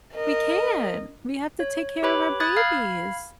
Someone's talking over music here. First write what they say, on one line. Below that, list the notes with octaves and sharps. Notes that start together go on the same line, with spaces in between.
We can't! We have to take care of our babies,
A#4 D#5
C#5
G4 B4 C#5 B5 D6
B5 D#6 F#6 G#6 A6
F5 B5 F6 G#6